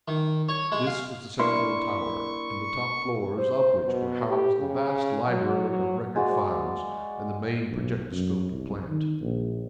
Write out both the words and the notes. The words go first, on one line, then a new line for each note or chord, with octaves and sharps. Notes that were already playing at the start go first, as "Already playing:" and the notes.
This was the central tower, in the top floors of which were housed the vast library of record files and the main projectoscope plant.
D#3
C#5
G#3
F5
A#3 D4 E4 C6 C#6
C5
B2
G4
C#3
F#3
F#3
G#3 F#4 D5 F5
B1
F#2
C2
D#3
A#1